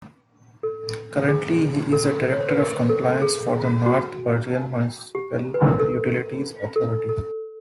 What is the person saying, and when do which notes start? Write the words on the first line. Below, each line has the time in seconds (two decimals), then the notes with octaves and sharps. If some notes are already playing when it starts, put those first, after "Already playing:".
Currently he is the Director of Compliance for the North Bergen Municipal Utilities Authority.
0.63 A4
1.28 G#4
1.93 A4
2.32 C#5
2.40 C5
2.49 B4
2.57 A#4
2.89 A4
3.22 G#4
3.86 F#4
5.15 G4
5.54 B4
5.67 A#4
5.80 A4
6.76 A4
7.09 A4